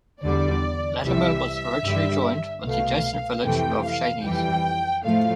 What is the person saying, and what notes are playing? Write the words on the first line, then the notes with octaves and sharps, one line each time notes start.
Latimer was originally joined with the adjacent village of Chenies.
E2 D3 G3 D5
C2 C3 E3 G3 E5
G2 D3 G3
C2 B2 A3 F5
F2 C3 E3 A3 G5
F5
F2 E3 G3 G5
A2 F3 A3 F5